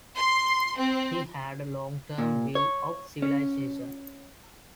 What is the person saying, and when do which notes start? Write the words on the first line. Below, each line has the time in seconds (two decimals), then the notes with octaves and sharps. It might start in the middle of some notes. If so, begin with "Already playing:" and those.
He had a long-term view of civilization.
0.16 C6
0.76 C4
2.18 A#2
2.55 C#5
3.22 C#4